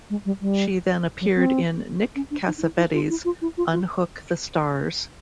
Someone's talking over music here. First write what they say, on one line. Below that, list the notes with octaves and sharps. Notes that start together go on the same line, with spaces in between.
She then appeared in Nick Cassavetes's "Unhook the Stars".
G#3
G3
G3
F#3
C4
C#4
D4
D#4
D#4
E4
E4
F4
E4
F4
E4
F4
F4